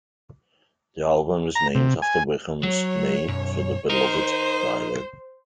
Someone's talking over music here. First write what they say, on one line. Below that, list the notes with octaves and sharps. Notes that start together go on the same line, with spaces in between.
The album is named after Wickham's name for his "beloved" violin.
A#5
C3
G#5
F#3 C#5
B1 F#2
D#4 A#4 C5